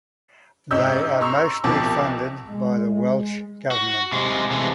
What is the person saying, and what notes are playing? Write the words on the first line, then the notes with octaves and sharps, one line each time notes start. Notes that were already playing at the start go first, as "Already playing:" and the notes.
They are mostly funded by the Welsh government.
G#2 C3 C#4 D#5 E6 G6
A#5 C6 C#6 E6
C2 B2 F3 A5 D6
G#3
F#4
C3 G#3
C3 E3 G#3 A3